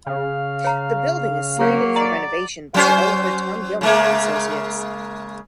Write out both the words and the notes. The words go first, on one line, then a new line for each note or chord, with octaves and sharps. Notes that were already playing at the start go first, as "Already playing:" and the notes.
The building is slated for renovation by developer Tom Gilmore and Associates.
C#3 F5
C#5 A#5
F#3 A#3 G#4 C#5 F5
D5 F#5 A#5
F#3 C#4 C5
C#3 G#3 A#3